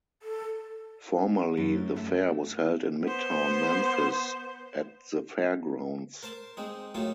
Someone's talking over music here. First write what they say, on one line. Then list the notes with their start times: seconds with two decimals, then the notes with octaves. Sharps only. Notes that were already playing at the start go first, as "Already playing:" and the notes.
Formerly, the fair was held in midtown Memphis at the Fairgrounds.
0.23 A4
1.57 F#2
1.96 A3
3.03 B3 C5
6.23 A#4 C5 A5
6.57 G#3 C4 D#4
6.95 A2 F#3 A3 A#3 D#4 F4